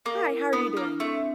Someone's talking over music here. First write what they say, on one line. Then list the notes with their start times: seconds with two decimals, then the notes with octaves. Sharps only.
Hi. How are you doing?
0.05 A#3 A#4
0.29 E4
0.53 B3 D4
0.76 A#3 D4
0.99 A3 C4